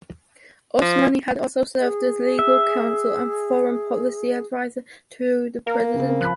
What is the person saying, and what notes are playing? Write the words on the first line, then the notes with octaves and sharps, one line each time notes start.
Osmani had also served as legal counsel and foreign policy advisor to the president.
F3
G#4
E5
A#3 A#4
C#3 C4
F3 B5 F#6